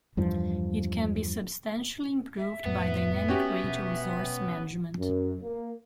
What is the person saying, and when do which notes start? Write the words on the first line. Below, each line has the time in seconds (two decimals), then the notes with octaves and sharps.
It can be substantially improved by dynamic radio resource management.
0.17 E2 G2 F3
2.37 E5
2.66 F2 A2 A3 B3
3.28 C#4 F#4 G4
3.64 B2 D4
4.98 F#2
5.42 A#3